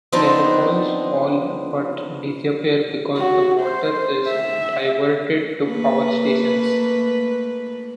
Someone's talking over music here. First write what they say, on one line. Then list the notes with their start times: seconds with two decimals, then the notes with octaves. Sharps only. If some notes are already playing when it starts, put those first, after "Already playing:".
Then the falls all but disappear because the water is diverted to power stations.
0.12 F3 B3 C4 D4 D#4
3.17 F#4
3.61 C5
4.27 E5
5.66 A3 A#3 B4